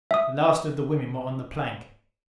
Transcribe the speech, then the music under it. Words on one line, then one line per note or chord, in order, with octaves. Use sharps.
The last of the women were on the plank.
E5 D#6